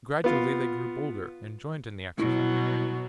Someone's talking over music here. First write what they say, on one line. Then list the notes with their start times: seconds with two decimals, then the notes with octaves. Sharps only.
Gradually they grew bolder, and joined in the exercise.
0.24 B3 F4
2.18 C2 B2 F#3 E4 D#5